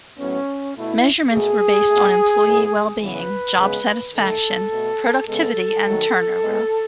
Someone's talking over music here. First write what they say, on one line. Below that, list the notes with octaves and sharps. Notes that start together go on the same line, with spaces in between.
Measurements were based on employee well-being, job satisfaction, productivity and turnover.
A2 F#3 B3 C#4
B2 A3 E4
B2 A3 G#4
B2 A3
A2 G#3 B3
C#3 E3 B3 B4
C#3 G#3 B3
D#3 A3 A4
B2 A3
C#3 G#3 B3 A4
D#3 F#3 A3
A2 G#3 B3